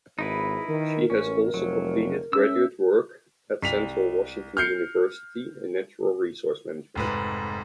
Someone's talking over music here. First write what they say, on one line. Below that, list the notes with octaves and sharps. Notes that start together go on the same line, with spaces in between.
She has also completed graduate work at Central Washington University in natural resource management.
G#1 D#4 E4 G#4 B4
D#3 A#4
A1 C#4
F1 F#3
C#4 E5 E6
C2 B6 F7
F6 G6 C7 C#7
F1 G#2 B4